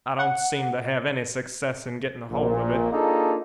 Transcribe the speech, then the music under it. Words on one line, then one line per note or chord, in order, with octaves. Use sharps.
'I don't seem to have any success in getting hold of it.
F#5
A#1 A#2
A#3 D4 D#4 F4 G#4 A4